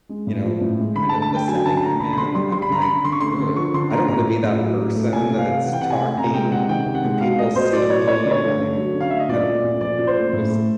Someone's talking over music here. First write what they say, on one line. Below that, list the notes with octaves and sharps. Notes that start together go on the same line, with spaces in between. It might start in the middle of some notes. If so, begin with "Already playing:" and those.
you know, kind of the setting I'm in, I'm like, "Ew, I don't wanna be that person that's talking, and people see me, and I'm" I don't know, I just
G#3
A2
F3
A2
G#3
D3 B5
A5
A3
A5
D3 G5
F#3 G#5
D3 A5
A5
A3 A#5
D3 B5
B5
D3 C6
G3 C6
G3 C6
B5
D3 A#5
B5
D3
D3 C6
C#6
A3 C6
D3
F3 C#6
D3 C6
A3 A#5
A2 A#5
A3
A2
F#3
A2
A3
C3 G#5
A3
F5
C3
E3 F#5
G5
C3 F#5
G#5
A3
C3 A#5
G#3 G5
C3 F#5
D#3 G5
C3
F#5
G#3
B2 F5
A3 D#5
B2 C5
F#3 D5
B2 C#5
A3 C#5
D5
D3
C#5
A3
D3
F#3
D3
F5
A3 E5
D#5
A#2 D5
A3
A#2
F3 D5
A#2
C5
A3
A2
A3